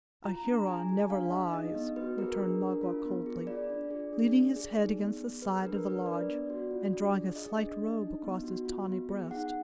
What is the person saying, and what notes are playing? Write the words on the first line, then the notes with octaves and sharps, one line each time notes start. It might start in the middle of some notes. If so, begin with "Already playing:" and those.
"A Huron never lies!" returned Magua, coldly, leaning his head against the side of the lodge, and drawing his slight robe across his tawny breast.
F4 A#5
D4 A#5
G#4 G#5
F4 G#5
D4 F5
G#4 D#5
D#4 D#5
B3
F#4 B4
G#4 A#4
D4
D4
F4
B3
G#4
F4 D5
D4
G#4
D4
A#3
G#4
D#4
B3
G#4
G#4 B4
D4 A#4
D4 B4
D4 D5
B3
F#4
F4
D4
G#4
G#4 D#5
D4
D4
D#4
B3
F#4
F4
B3
G#4
D#4 F#5